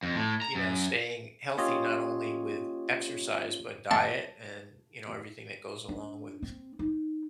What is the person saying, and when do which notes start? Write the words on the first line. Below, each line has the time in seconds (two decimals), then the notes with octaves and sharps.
you know, staying healthy not only with exercise, but diet and, you know, everything that goes along with
0.03 F2
0.15 A2
0.42 A#5
0.55 F#2
1.57 A#3 C#4 F4 G4 C#5 D#5
3.91 A5
5.89 D4
6.42 C4
6.79 D#4